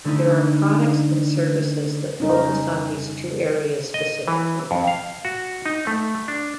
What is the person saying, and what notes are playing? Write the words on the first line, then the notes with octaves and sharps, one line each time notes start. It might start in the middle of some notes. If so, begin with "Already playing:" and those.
There are products and services that focus on these two areas specifically.
D3 A3 C#4 D#4 E4
F2 C#3 G3 C#4 D#4 A#4
D#5
E3
F2
F5
F#4
D#4
A3
D4